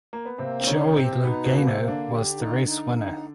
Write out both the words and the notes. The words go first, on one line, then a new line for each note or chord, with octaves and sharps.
Joey Logano was the race winner.
A#3
B3
C3 A#3 C4
C4
C#3 C#4 D#4
C3 C4 G4
B2 B3 D#4
B2 B3
A#3
C3 C4
A#3
D3 D4
G4
D#4
D#4
D#4